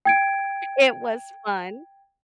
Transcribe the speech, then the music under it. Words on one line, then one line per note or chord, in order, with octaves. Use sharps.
it was fun.
G5 G#6 D7